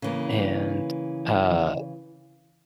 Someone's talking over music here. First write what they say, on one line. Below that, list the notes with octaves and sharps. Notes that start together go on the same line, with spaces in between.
and, uh
C#3 E3 A#3